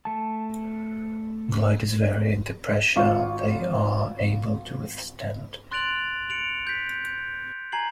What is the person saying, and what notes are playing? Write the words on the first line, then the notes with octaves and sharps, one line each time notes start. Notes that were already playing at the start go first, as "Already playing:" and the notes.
Gliders vary in the pressure they are able to withstand.
A3 A5
G#1 F4 C#6
C6 F#6 A6 D7 F7 F#7
C#7 D7 F7 F#7
G6 B6
G6
G#5 A#5 G#6 C7 F#7